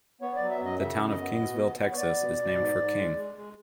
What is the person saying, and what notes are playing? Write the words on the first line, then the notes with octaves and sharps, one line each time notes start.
The town of Kingsville, Texas is named for King.
B3 C#5
F#3 D5
E5
F#2 D#5
C#3 E5
F#2
D#5
B3
B2
B3
B3
C#5
B3 D5
B2
B2
G#2
G#2
G#3
G#3
G#3